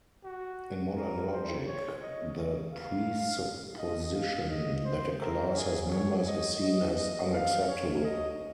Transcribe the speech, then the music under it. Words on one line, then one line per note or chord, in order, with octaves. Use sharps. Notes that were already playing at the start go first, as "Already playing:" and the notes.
In modern logic, the presupposition that a class has members is seen as unacceptable.
F#4
A#4
C5
C#5
D#5
F5
D#5
F5
D#5
C5
A#4
G#4
C#5
D#5
D#5
D#5
F5
C#5
D#5